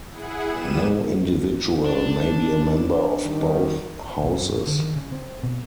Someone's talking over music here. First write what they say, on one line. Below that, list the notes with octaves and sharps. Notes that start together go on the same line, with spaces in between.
No individual may be a member of both Houses.
E4 G#4 F#5
G3 B3 D#7 E7
D4
D#3 G3
B1
F#2
D3
D#3
C#3
C4
B2